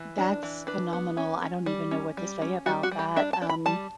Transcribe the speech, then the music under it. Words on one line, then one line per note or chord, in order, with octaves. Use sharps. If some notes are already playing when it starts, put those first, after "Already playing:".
That's phenomenal. I don't even know what to say about that. Um,
Already playing: E3
D4
E3
D4 B4
B3
C#4
C#4
G3
C#4
G3
C#4
G3 F#4
F#4
G3
G4
D4 E5
A5
D4
B5
G3 A5